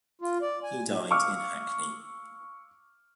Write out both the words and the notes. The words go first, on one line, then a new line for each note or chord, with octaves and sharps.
He died in Hackney.
F4
D5
G#5
A2
F5 C#6 D6 E6 F6